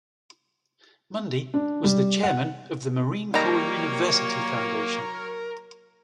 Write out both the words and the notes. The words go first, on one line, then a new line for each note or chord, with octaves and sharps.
Mundy was the chairman of the Marine Corps University Foundation.
D4
G3
F#5
D#3 F#3 G3 A#3 A#4 C#5 A#5